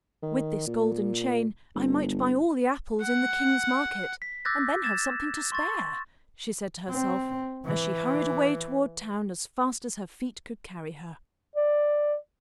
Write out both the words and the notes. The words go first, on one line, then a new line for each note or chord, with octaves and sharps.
"With this golden chain I might buy all the apples in the king's market, and then have something to spare," she said to herself, as she hurried away toward town as fast as her feet could carry her.
D#3
A#2
G1
F#5
B6
D6 E6 F#6 G6 A6 A#6
G#6 A6 E7
C6 C#6 A6
C4
E3
D5